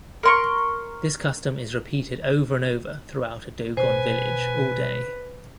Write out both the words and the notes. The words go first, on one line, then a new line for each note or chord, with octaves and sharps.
This custom is repeated over and over, throughout a Dogon village, all day.
A#4 C6 C#6
B2 B4 C5 G#5